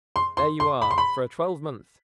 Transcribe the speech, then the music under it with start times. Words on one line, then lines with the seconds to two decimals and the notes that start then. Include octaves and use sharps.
There you are, for a twelvemonth!
0.16 C6
0.37 C6
0.60 C6
0.82 B5
0.91 C6
0.98 B5